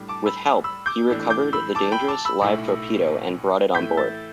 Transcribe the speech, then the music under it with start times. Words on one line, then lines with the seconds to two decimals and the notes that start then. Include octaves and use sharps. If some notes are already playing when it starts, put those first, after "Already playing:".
With help, he recovered the dangerous live torpedo and brought it on board.
Already playing: A2 G3 D4
0.08 A5 D6
0.26 B5 E6
0.64 B5 E6
0.86 D6 G6
1.09 A2 E3 A3 D4
1.30 D6 G6
1.53 B5 E6
1.75 A5 D6
1.92 G5 B5
2.08 A5 D6
2.25 B5 E6
2.41 B1 A2 A3 E4
3.75 A2 E3 A3 E4 G6 B6
3.97 E6 A6